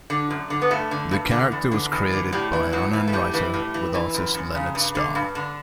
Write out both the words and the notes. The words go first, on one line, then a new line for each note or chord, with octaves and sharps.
The character was created by an unknown writer with artist Leonard Star.
D3
F#2
D3
B3
G2 A3
D3
G2
D3
E2
D3
E2
D3
A2 G3
E3
A2 F#3
E3
A3
A2 G3
E3
A2
E3
E3
F#2
F#2
C#3
G2
D3
G2
D3